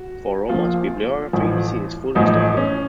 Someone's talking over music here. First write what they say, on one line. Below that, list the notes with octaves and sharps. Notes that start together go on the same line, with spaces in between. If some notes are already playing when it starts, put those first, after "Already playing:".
For Rohmer's bibliography, see his full list of work.
Already playing: F#4
A#1 A#2 F3 F4
A1 A2 F3
A1 A2 F3 D#4
C#4